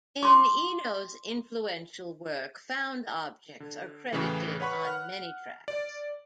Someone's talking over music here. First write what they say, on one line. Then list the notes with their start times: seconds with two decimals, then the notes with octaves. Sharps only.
In Eno's influential work, found objects are credited on many tracks.
0.23 C6 D6
3.60 D3
4.13 A2 C#3 E3
4.60 B4 C#5 F#5 B5 C#6
4.85 F#5 F6
5.68 D5